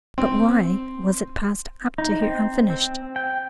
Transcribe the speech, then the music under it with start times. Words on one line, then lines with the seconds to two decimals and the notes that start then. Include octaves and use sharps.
But why was it passed up to her unfinished?
0.18 C4
1.98 D#4
2.22 C4
2.70 C4
3.16 G5